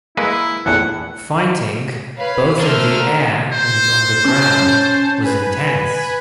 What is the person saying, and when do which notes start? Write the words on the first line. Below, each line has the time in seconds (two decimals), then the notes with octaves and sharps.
Fighting, both in the air and on the ground, was intense.
0.17 G#3 A#3 E4 B4
0.66 A#1 E2 A2 F#5
2.17 B4 C#5 F5 B5
2.60 D3 A3 A#4 C5 F6
3.52 C5
4.25 C#4 A5
5.22 B4 G#5 B5